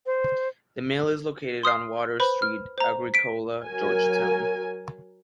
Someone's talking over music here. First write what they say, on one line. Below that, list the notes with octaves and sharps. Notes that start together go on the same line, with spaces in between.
The mill is located on Water Street, Agricola, Georgetown.
C5
C6 D#6 F6 C7
B4 C5 B5
F6
C5 A#5
B6 D7
F#3 A#4 G#5